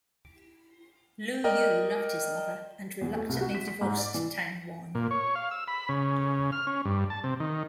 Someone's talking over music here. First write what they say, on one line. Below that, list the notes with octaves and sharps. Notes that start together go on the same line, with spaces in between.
Lu You loved his mother and reluctantly divorced Tang Wan.
A#4 D5 D#5 G5
E2
A3
C2
F#4
B6
B6
G#2
D5
E3
A#2
C#5
F5
E6
B5
C#3
F6
C#4
G2
A5
C3
D#3